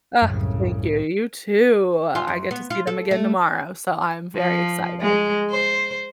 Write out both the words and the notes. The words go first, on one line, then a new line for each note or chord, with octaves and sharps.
Ugh, thank you, you too, I get to see them again tomorrow, so I'm very excited.
C2 F#2 A2 C#3
F4
F#2
B3
F4
A4
A3
F3
G#3
C5